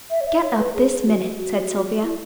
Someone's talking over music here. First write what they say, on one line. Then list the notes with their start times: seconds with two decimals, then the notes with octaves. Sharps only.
"Get up this minute," said Sylvia.
0.10 E5
0.21 C#5
0.27 E5
0.42 C#5
0.58 B4
0.75 G#4
1.06 F#4
1.38 F#4
2.02 E4